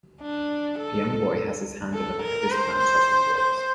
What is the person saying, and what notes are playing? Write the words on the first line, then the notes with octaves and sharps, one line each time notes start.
A young boy has his hand in the back of his pants as he walks.
D4
A4
A4
A#4
C5
C5
C5